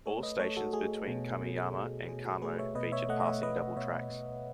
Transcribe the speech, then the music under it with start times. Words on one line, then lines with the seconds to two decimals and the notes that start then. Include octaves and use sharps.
All stations between Kameyama and Kamo featured passing double tracks.
0.06 A3 A4 C#5
0.23 B4 D#5
0.39 A3 A4 C#5
0.57 F#4 A4
0.73 A3 G#4
1.08 B2
1.41 B2
1.75 B2
2.08 B2 G#4
2.25 F#4 A4
2.42 A3 G#4 B4
2.59 C#5 E5
2.75 B2 B4 D#5
2.92 C#5 E5
3.09 A3 D#5 F#5
3.20 D#5
3.26 C#5 E5
3.43 A3 B4 D#5
3.76 B2 C#5 E5
4.10 B2